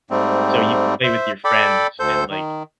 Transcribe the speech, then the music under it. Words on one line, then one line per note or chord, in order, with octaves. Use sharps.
So, you can play with your friends and, like,
G#2 G3 A3 C4
C5 E5
A4 D5 G5 B5 D6
D2 A4 C5 G6
D#3